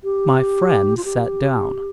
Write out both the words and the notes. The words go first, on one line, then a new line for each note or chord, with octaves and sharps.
My friend sat down.
G4
F4
G4